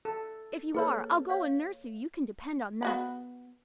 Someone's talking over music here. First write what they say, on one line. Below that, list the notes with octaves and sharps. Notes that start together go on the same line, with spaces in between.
If you are I'll go and nurse you, you can depend on that.
A4
A#3 G#4 A4 B4 C#5
C#5 F5
B3 F#4 B5